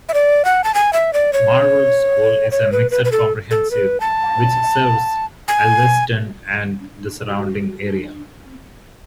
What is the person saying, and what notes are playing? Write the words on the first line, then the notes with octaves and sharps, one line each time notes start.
Marlwood School is a mixed comprehensive which serves Alveston and the surrounding area.
E5
D5
F#5
A5
G#5
E5
D5
C#5
C#5
B4
B4
B4
A4
A4
B4
A5
G#5